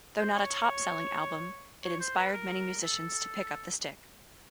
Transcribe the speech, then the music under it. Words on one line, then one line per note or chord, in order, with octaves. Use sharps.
Though not a top-selling album, it inspired many musicians to pick up the Stick.
C5
C#5
C#5
C5
B4
A#4
A4